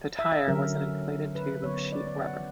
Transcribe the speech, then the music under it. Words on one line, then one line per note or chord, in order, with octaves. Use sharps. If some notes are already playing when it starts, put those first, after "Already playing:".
The tyre was an inflated tube of sheet rubber.
E5
E5
D3 F#3 C#4 A#4
B4
D3 F#3 B3 C#5
D5
D5
F#5